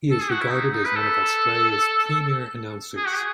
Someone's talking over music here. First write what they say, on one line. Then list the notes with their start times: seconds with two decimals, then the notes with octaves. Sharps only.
He is regarded as one of Australia's premier announcers.
0.11 A4
0.21 G#4
0.31 F#4
0.41 E4
0.51 D#4
0.74 D#4
0.86 B4
0.96 A4
2.97 G#4
3.06 F#4
3.15 G#4